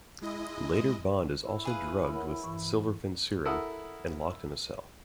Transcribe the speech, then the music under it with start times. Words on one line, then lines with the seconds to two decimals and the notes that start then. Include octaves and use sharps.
Later Bond is also drugged with the SilverFin serum and locked in a cell.
0.22 G#3 E4 D#5
1.40 E4
1.65 G#4 B4 F5
2.13 A#4 C#5 F#5
2.44 G2 E3 C#6
3.45 E4 A4 A#4 F#5 D#6